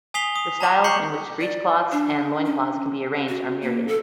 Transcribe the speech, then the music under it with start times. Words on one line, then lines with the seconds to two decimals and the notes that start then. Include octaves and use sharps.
The styles in which breechcloths and loincloths can be arranged are myriad.
0.14 G#5 D#6 B6 C7 F7 G7
0.36 D#6
0.60 A5 A#5 D6
0.84 A#5 C#6 G6 C7 C#7 F#7
1.41 D5
1.92 D4
2.45 C#4
3.29 F#4
3.62 A#3
3.88 A4